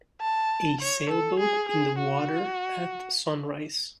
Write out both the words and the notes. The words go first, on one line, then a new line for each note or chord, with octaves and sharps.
A sailboat in the water at sunrise.
A5
C#5
A4
G#4
G#4
F#4